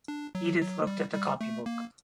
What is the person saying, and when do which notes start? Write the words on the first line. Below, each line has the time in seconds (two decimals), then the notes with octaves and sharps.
Edith looked at the copybook.
0.08 D4
0.35 F#3
0.61 F#3
0.87 G3
1.14 G3
1.41 A3
1.66 A#3